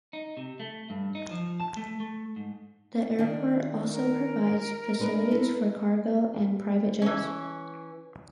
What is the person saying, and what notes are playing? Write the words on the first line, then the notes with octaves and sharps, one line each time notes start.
The airport also provides facilities for cargo and private jets.
D#4
C3
A3
G2
D#4
F3
A5
A3
A3
G#2
D#3 D4 A5
A#4
G#3 D4 B4
E4 A4 B4
E3 C#4